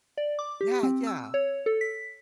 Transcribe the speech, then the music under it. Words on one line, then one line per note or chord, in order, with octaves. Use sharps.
Yeah, yeah.
D5
D6
G4
C4
E6
C#5
A4
B6